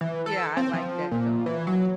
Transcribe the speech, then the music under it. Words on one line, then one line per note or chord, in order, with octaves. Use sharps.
Yeah, I like that song.
E3
A4
C4
F3
A#2
E3
F#3